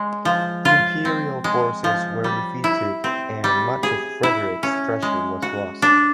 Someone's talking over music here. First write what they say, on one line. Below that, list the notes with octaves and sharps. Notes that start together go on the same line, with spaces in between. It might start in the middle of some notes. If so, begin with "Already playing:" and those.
The Imperial forces were defeated and much of Frederick's treasure was lost.
Already playing: G#3
F3
F4
C4
G#3
F3
G3
E4
C4
G3
G#4
E4
C#4
G#3
F#4
D4